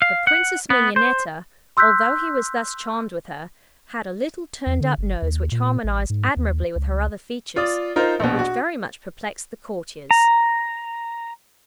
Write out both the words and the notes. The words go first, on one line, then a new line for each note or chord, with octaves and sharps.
The Princess Mignonetta, although he was thus charmed with her, had a little turned-up nose which harmonized admirably with her other features, but which very much perplexed the courtiers.
F5
F#5
B3
C5
C6 E6 F#6 G6 B6
E2
D3
G1
D#2
A#2
A1
G#2
D#2
C#2
F4 D5 D#6
D#4 F4 A#4 C5
A#1 B2
F#4
A#5